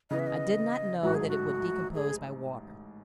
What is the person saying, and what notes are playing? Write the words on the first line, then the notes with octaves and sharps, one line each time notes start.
I did not know that it would decompose by water.
C#3 E3 B3 D#5
E5
D#5
A1 G#2 F#3 A3 F#4
G#4
F#4
G#4